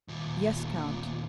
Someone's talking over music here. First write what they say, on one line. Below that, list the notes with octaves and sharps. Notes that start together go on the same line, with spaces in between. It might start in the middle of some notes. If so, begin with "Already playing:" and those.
"Yes, count."
D#2 A#2